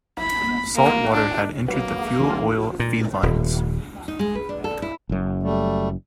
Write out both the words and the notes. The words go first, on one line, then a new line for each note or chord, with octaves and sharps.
Salt water had entered the fuel oil feed lines.
B5
A#3
D4
F#3 A#3 B4 F#5
D#2 E3 G4 G#5
A#2
D#1
D#4
G#3
B4
D4
A4
E4
F#1 F#2
G3 A3